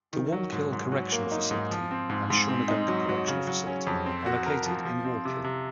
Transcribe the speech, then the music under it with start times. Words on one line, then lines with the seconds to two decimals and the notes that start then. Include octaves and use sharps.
The Wallkill Correctional Facility and Shawangunk Correctional Facility are located in Wallkill.
0.13 D#3
0.32 F#3
0.52 G#2
0.72 G#2
0.92 F#3
1.12 A#3
1.32 D#4
1.51 G#2
1.71 F3
1.91 C4
2.09 G#2
2.30 G#2
2.49 C4
2.68 D#4
2.88 F#3
3.09 F#3
3.28 C#3
3.47 F#3
3.67 C#4
3.87 F2
4.06 C4
4.26 F#4
4.46 A#4
4.66 F3
4.85 F3
5.05 C4
5.25 C3
5.44 C3